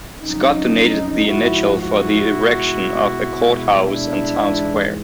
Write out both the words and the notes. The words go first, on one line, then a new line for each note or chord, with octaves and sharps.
Scott donated the initial for the erection of a courthouse and town square.
F2 C#3 F#3 C#4 D#4
G#2 F3 G#3 E4 F#4
E4 F#4
B2 G#3
B2 G#3
D4 E4
G#2 E3 G#3